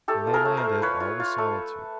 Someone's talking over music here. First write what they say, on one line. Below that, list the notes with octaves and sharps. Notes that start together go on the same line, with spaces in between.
When they landed, all was solitude.
A3 G4 A4
F4
G#4 A#4
A3
A#4 C5
A3
F4 B4 C#5
F4
F4
A3